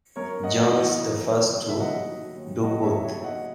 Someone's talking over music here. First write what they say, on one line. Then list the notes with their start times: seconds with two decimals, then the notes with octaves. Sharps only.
John's the first to do both.
0.16 F#2 A#4 C#5
0.43 F#2 D#5 F#5
0.71 E3 D#5 F#5
0.98 E3
1.26 F#2
1.53 F#2
1.69 E5
1.80 D#2 D#5 F#5
2.09 F#3
2.36 D#2
2.62 C#3 D#5 F#5
2.83 C#5 E5
2.90 D#2
3.04 C#5 E5
3.17 F#3
3.24 D#5 F#5